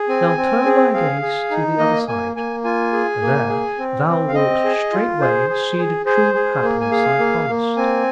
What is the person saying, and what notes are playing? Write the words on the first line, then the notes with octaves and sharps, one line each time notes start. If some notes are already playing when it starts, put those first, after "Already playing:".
Now turn thy gaze to the other side; there thou wilt straightway see the true happiness I promised.'
Already playing: G#4
C4 G#5
C4
G#4
G#4 F5
G#4
D#4
A#3 D#5
A#3 G#5
A#3 G#5
F4 G#5
G#4
A#3
G#4
C4
C4
F5
C4 D#5
G#4
F4
G#4 C5
G#4
G#4
G#4 C5
G#4
A#3
G#5
G#4 F5
A#3
A#3
C4 G#5